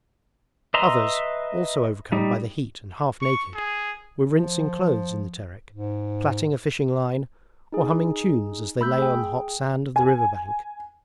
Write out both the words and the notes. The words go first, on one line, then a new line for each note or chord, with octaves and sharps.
Others, also overcome by the heat and half naked, were rinsing clothes in the Terek, plaiting a fishing line, or humming tunes as they lay on the hot sand of the river bank.
B4 D#5 E5 A#5 C6
G3 D#4
C#6
G#4
F3
G#2
D#4 G#4
A3 B5 E6 G6
G#4 G5
G#5